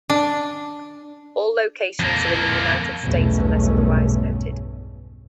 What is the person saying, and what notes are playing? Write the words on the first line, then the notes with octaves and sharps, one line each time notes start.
All locations are in the United States unless otherwise noted.
D4
F2 A#3
B1 E2 G2 B2 A3 C#4